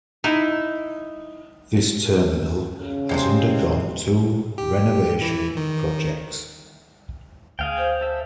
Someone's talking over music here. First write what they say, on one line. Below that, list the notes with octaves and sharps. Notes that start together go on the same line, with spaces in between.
This terminal has undergone two renovation projects.
D#4 E4
C#3
C3 G#3 C4
G4
E3
D#3
D2 G#4 F5 G5
C5
A4 E5